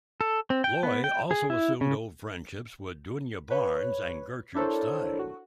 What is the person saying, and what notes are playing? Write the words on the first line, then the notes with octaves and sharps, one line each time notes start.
Loy also resumed old friendships with Djuna Barnes and Gertrude Stein.
A4
C4
G5
B3
G5
G#4
E4
C#3
B4 C#5
D4 E4 A4 A#4 C5 C#5
F#4